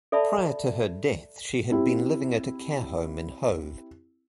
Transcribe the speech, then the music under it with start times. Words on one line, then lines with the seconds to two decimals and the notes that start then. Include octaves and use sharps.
Prior to her death she had been living at a care home in Hove.
0.12 A4 D5 E5 A5 B5
1.71 C4 E4 G4